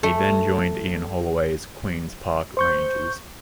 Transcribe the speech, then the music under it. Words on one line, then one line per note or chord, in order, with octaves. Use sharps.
He then joined Ian Holloway's Queens Park Rangers.
A3
C5 C#6 G6